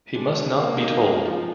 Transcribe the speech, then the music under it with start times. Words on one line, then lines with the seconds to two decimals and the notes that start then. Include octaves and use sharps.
He must not be told.
0.15 G#3 D4
0.37 D3
0.59 D3 A#3
0.79 D#4
1.00 G#3
1.23 F3